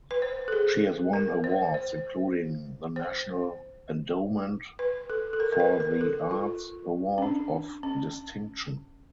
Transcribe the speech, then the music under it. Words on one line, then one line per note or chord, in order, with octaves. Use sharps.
She has won awards including the National Endowment for the Arts Award of Distinction.
B4
C5
A4
G#4
A#4
C5
C5
C5
B4
A4
A4
A#4
A#4
B4
A#4
A4
F4
C#4
D4
C#4